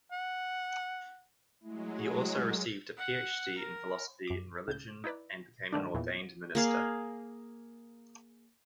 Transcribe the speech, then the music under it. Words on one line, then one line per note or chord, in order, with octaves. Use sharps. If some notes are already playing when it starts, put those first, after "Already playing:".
He also received a Ph.D. in philosophy in religion and became an ordained minister.
F#5
F#3 G#3 A3 E4
F#5
A#4
F#2 D6
C#2 G6
D#4 E4 B4 D5
G2 D3 D#3 A3 D4
E2 A#2 E3
A#3 G#4 F5